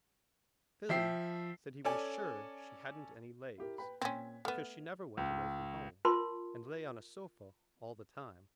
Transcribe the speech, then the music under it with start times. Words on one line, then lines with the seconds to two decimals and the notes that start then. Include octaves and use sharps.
Philly said he was sure she hadn't any legs, because she never went away from home, and lay on a sofa all the time.
0.89 F3 E5 G5 C7
1.85 C#4 A4 D5 G#5
3.58 E4 G4 A#4
3.78 B4 G5 B5
4.02 A#2 C4 C#4 G#6 B6
4.45 A3 B3 F6 E7
5.17 C#2
6.05 F4 A#4 A5 C6